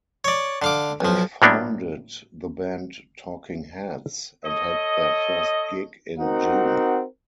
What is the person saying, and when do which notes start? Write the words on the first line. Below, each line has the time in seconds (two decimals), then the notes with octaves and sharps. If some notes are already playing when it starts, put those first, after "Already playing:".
They founded the band Talking Heads and had their first gig in June.
0.24 C#5 D5
0.62 D3 F5 D6
1.01 B1 F3
1.42 A2 F#3 A#3 B3 D4
4.45 A4 C#5 D#5
6.19 C4 D#4 F#4 A#4 F#5